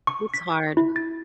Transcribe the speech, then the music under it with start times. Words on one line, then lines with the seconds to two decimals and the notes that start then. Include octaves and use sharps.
it's hard.
0.07 C#6
0.34 B6
0.77 E4
0.96 A6